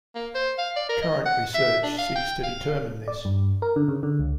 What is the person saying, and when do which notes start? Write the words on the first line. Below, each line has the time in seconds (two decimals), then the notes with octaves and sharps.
Current research seeks to determine this.
0.15 A#3
0.35 C5
0.58 F5
0.76 D5
0.89 A#4
1.02 D#5
1.26 F#5
1.55 E5
1.84 D4
1.98 F5
2.16 G5
2.43 F5
3.08 D5
3.25 G2
3.62 A#4
3.76 D3
3.88 C#3
4.03 D3
4.19 C#2